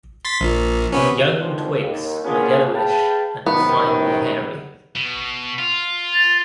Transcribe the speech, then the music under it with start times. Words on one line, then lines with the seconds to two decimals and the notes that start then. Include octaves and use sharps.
Young twigs are yellowish and finely hairy.
0.25 C6 A6 B6
0.40 A#1 A#2
0.92 C3 B3 C#4
1.39 G#1 F2 G#2 B2 D3 F3
1.79 D#2
2.23 A#3 B3 C#4 D4 F4 G#4
2.73 G#4 B4 F5 G5 A5
3.46 F#2 C3 D#3 B3
4.95 B2
5.59 F4
6.14 A6